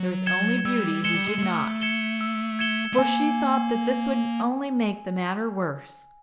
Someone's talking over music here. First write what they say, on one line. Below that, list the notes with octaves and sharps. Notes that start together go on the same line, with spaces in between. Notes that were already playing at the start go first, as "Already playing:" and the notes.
There was only Beauty who did not, for she thought that this would only make the matter worse.
Already playing: F#3
G#6 C#7 E7 G7
G3 E6
G#3 G#6 C#7 E7 G7
G3
G#3
G#3
A3 E6
G#6 C#7 E7 G7
E6
G#6 C#7 E7 G7
A3
A#3 G#5